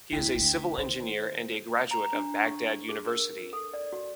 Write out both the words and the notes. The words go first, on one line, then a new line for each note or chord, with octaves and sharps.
He is a Civil Engineer and a graduate of Baghdad University.
D2 D3 E4 G5 B6
D2 D3
D#3 C5
A#5
D4
C#6
G#4
A#4
A4
D5
F#4